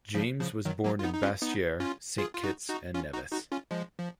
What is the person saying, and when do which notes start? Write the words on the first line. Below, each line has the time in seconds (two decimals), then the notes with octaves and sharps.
James was born in Basseterre, Saint Kitts and Nevis.
0.15 C#3 F3
0.40 C#3 F3
0.65 D#3 F#3
0.84 F#3 A#3
0.99 F4
1.04 B3 D#4
1.15 D#4
1.23 C#4 F4
1.42 B3 D#4
1.80 C#4 F4
2.18 F4 G#4
2.34 F4
2.44 D#4 F#4
2.69 D#4 F#4
2.94 C#4 F4
3.13 D#4 F#4
3.32 D#4 F#4
3.52 C#4 F4
3.71 F3 G#3
3.99 F3